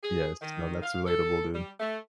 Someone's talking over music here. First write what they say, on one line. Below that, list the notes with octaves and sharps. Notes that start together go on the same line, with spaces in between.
yes, no, that's relatable, dude.
G#4
D#3
F5
A4
G3
A3